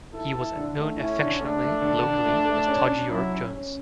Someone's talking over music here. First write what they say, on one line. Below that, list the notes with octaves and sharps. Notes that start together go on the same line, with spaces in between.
He was known affectionately locally as 'Todger' Jones.
E4 A4
E4
D3
A3
C#4 E4
D3
A3 D4
A3
D3
D3
A3
A3
C#4
C#4
F#3 E4
C#4
C#4